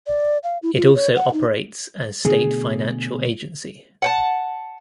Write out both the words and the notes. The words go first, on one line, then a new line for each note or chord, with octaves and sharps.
It also operates as State Financial Agency.
D5
F5
E4
F4
C#5
F#5
D#4
B2 D3 A3 G#4
F#5 G5 A5